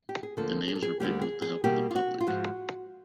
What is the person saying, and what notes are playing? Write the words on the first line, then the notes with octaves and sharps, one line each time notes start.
The names were picked with the help of the public.
G4
G#4
D2 D3 F3 A#3 A4
G#4
A4
G#4
D2 D3 G3 A#3 G4
G#4
G#4
B2 G3 A#3 G4
F4
F#4
F4
G#2 F3 G#3 F#4